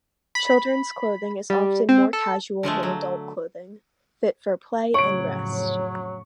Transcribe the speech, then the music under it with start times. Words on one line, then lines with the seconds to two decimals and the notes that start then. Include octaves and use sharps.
Children's clothing is often more casual than adult clothing, fit for play and rest.
0.35 B5
1.50 G3
1.89 C4
2.13 A4
2.63 D3 F3 G#3 A3
2.83 F#3
4.94 F2 A2 C#3 F#3 C#5 C#6 D7